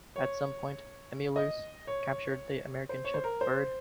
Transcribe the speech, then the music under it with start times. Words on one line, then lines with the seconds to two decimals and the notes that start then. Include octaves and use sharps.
At some point "Emulous" captured the American ship "Bird".
0.16 C#5
1.36 D#5
1.87 C#5
2.89 C5
3.04 C#5
3.14 C5
3.24 A#4
3.41 C5